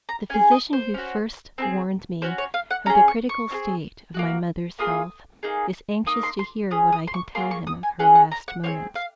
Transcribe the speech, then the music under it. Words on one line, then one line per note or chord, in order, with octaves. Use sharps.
The physician who first warned me of the critical state of my mother's health is anxious to hear what I can tell him of her last moments.
A#5
C#4 G#4 G#5
D#5
C5
C#4 F#4
C4 D#4 G#4
C#4 F#4 C5
C#5
F5
F#5
C#4 G#4 A#5
C#6
C#6
C4 F4 G#4
A#3 D#4 F#4
A#3 F4 G#4 D#6
A#3 D#4 G#4
A#3 D#4 D#6
C6
C6
C#4 G#4 D#6
D#6
C6
C#6
A#3 F4 G#4 C6
C#6
D#6
G#5
C#4 G#4 F#5
F#5
A#5
F#5
C4 F4 G#4 C#5
F5